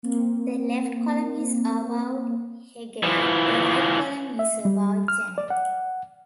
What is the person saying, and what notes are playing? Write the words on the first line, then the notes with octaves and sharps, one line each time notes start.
The left column is about Hegel, the right column is about Genet.
A#3 C4
E3 F3
E5
G3
F6
D5
F#5